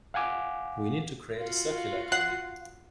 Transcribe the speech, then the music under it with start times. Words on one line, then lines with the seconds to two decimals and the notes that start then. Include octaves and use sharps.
We need to create a circular economy.
0.14 F5 F#5 G#5 D6
1.39 F4 F#4 F5
2.12 F#5 F#6 C7 F#7